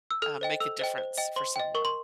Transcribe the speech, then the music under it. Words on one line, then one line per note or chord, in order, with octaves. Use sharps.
uh, make a difference for someone?
E6
A4 F6
C5 D#5 G5
A4 E6
C5 D#5 G5
C5
D#5 G5
C5 C6
D#5 G5
A#4 C#6
C6